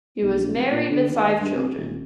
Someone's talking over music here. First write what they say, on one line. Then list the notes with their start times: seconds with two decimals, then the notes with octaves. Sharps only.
He was married with five children.
0.22 B1
0.36 A#1
0.54 C3
0.71 A#2
0.89 D3
1.08 D#2
1.40 G2
1.56 C3
1.77 D#1